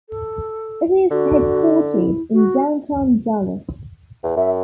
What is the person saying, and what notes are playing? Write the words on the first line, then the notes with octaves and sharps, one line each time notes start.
It is headquartered in Downtown Dallas.
A4
D3 F#4
E4
F#4
E2
F#2 E5